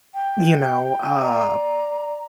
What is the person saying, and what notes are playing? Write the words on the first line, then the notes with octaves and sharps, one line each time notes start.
You know, uh,
G5
D5 A#5